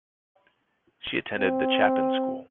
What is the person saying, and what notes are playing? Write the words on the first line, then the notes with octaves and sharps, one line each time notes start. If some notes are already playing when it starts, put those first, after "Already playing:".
She attended the Chapin School.
C4